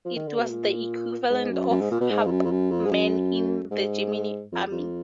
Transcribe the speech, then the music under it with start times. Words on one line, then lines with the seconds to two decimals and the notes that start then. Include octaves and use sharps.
It was the equivalent of a "Hauptmann" in the German army.
0.05 F3
0.16 D#3
0.28 D3
0.39 B2
0.50 A#2
1.30 G#2
1.51 F#2
1.70 F#2
1.81 G#2
1.91 A#2
2.01 B2
2.10 G#2
2.26 F2
2.31 F#2
2.45 F2
2.51 F#2
2.71 F2
2.86 G#2
2.92 F#2
3.71 G#2
4.52 F2
4.71 F2